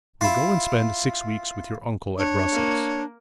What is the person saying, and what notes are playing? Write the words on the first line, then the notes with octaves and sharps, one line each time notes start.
We'll go and spend six weeks with your uncle at Brussels.
E4 F4
D4 C#5
A#3